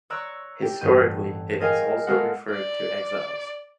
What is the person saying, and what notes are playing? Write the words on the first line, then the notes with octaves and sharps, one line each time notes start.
Historically, it has also referred to exiles.
C#5 D5 A#5 C#6 E6 F#6
G4 G5
A1 G2 B3 A4 G6 D#7
G#4 A#4 D#5 F5 G5 G#5
G#3 B3 A4 A#4 F5 F#5
D5